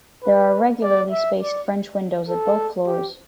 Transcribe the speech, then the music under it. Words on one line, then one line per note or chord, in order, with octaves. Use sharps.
There are regularly spaced French windows at both floors.
B4
D5
E5
D5
A4
G4